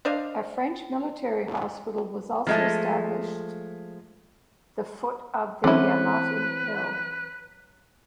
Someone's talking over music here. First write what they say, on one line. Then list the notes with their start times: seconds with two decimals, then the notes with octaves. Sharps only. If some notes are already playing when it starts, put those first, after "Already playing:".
A French military hospital was also established the foot of the Yamate hill.
0.05 D4 C5 D#5 F5
2.47 F3 G#3 A3
5.64 D3 E3 F#3 C4 C#4 E4 B4